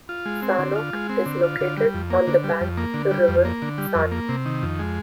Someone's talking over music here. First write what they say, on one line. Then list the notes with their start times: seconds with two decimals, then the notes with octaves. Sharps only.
Sanok is located on the bank of the river San.
0.09 F4
0.26 G#3
0.42 C4
0.59 D3
0.75 F4
0.93 G#3
1.09 C4
1.26 D3
1.43 F4
1.61 D3
1.77 G3
1.94 F2
2.10 A#3
2.27 D3
2.44 G3
2.61 F2
2.77 A#3
2.94 D3
3.11 G3
3.28 F2
3.45 A#3
3.62 D3
3.78 G3
3.95 F2
4.12 A#3
4.29 C3
4.45 D#3
4.62 F2
4.79 G#3